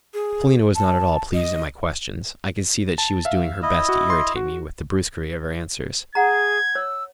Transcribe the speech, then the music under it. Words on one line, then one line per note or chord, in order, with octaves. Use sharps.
Polina was not at all pleased at my questions; I could see that she was doing her best to irritate me with the brusquerie of her answers.
G#4
A5
D#5
A5
E5 F5
E4 D#5
F#4
C6
F#4
G#4 F#5 A#5 G#6
C#5 E6